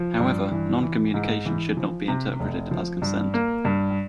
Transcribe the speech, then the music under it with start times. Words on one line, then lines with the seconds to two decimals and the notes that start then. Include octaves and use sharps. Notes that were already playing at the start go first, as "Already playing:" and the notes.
However, non-communication should not be interpreted as consent.
Already playing: F3
0.19 G2
0.51 E3
0.83 E3
1.14 G#2
1.45 E3
1.77 F3
2.08 C3
2.40 F1
2.71 F3
3.02 G2
3.34 A#3
3.65 G2